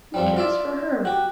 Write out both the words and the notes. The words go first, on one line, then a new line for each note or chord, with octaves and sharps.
Who cares for her?
F2 F3 G3
F4 D5 E5
F#4 G4